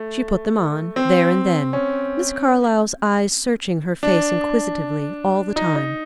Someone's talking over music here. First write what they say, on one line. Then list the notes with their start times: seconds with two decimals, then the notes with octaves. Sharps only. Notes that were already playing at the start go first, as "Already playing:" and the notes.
She put them on, there and then, Miss Carlyle's eyes searching her face inquisitively all the time.
Already playing: A3
0.96 C4
1.73 C#4
4.03 D4
5.56 D#4
5.76 D#4